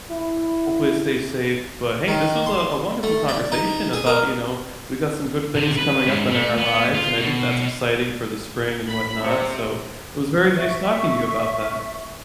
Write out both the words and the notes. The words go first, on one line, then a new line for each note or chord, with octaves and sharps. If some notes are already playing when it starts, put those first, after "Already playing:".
hopefully it stays safe, but hey, this was a a wonderful conversation about, you know, we got some good things coming up in our lives, and I think that's exciting for the spring and whatnot, so it was very nice talking to you about that.
E4
D#3
C6
A3
D5
D#4
G#4
A#4
C3
B4
G#2
A3
B3
F4
B2
B5
C3
E5 C#6